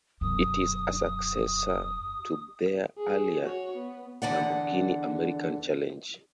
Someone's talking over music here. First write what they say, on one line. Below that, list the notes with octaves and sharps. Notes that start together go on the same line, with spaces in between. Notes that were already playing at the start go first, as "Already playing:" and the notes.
It is a successor to their earlier "Lamborghini American Challenge".
E1 F#2 D#6
G#4
F#4 C#5
B3
E2 D3 D5 F#5